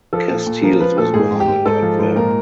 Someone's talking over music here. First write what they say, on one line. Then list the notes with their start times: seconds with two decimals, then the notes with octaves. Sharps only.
Casteels was born in Antwerp.
0.13 F3 A4
0.30 A#2
0.47 A#2
0.63 F3 A#4
0.80 F3 B4
0.97 A#2 A4
1.14 G#2 G#4
1.31 G#2
1.40 G4
1.48 G#2
1.65 G#2 A4
1.82 F3
1.99 G#2
2.16 A#2 A#4